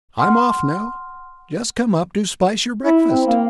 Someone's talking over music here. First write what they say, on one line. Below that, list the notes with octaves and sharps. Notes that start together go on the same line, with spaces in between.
I'm off now--just come up to spice your breakfast.
F#5 C6 F6
E4
C4
A#3